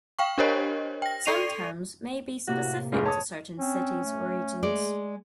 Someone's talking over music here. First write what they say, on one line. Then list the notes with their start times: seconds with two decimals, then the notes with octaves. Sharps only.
Some terms may be specific to certain cities or regions.
0.19 F5 G5 C#6
0.38 D4 G4 A#4 C5 C#5 D#5
1.02 G5 A#6
1.26 A4 D5 C#6 C7 D#7 F7
2.48 A2 C3 A#3 F#4
2.93 F1 G#2 F4 G#4
3.06 C#5 A5 D#6
3.60 C4 C#4
4.04 A3
4.63 G#3 D5